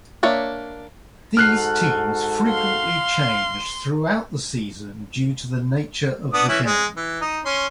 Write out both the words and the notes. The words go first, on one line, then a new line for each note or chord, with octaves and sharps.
These teams frequently changed throughout the season due to the nature of the game.
A#3 D4 C#5 E5
G#2 F#4 A4 F6 F#6 C7
F5 C6
B3 D4 D#6
E3 C#4 E4
G#3
E3
D#4
C#4 C6